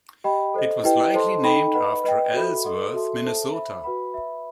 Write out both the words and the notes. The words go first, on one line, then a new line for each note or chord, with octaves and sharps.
It was likely named after Ellsworth, Minnesota.
G4 D#5 G5 B5
A4 C5 D#5
E4 G4 B4 D#5 G5
A4 C5 D#5 A5 C6
D#4 A4 D#5 G5 B5
B4 D#5 F#5 B5
B4 D#5 G5
F#4 A4 E5 B5
A4 D#5 F#5 C6
F#4 A4 E5 A5 C6
A4 C5 E5 A5
C5 E5 B5
F#4 B4 F#5 B5
B4 E5 B5